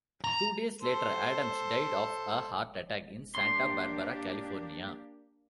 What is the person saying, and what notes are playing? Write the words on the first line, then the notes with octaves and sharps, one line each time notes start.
Two days later, Adams died of a heart attack in Santa Barbara, California.
A#5
A4 C5
A#3 D4 G4 C6